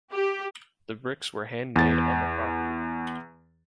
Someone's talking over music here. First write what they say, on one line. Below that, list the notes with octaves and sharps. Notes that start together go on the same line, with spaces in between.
The bricks were handmade on the property.
G4
E2 A6